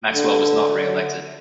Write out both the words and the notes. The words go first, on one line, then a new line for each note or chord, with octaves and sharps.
Maxwell was not re-elected.
D3